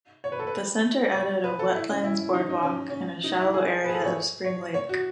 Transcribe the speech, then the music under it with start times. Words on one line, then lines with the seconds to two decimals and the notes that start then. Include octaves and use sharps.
The center added a Wetlands Boardwalk in a shallow area of Spring Lake.
0.24 C#5
0.32 B4
0.39 A4
0.47 B4
1.14 C#5
1.44 B4
1.59 A4
1.74 E4
1.89 C#4
2.04 E4
2.19 E4
2.34 D#4
2.49 D#4
2.63 C#4
2.90 C#4
3.24 D#4
3.40 E4
3.54 G#4
3.84 B4
3.89 G#4
3.94 A4
4.05 C#5
4.45 C#5
4.74 C#5
4.89 F#4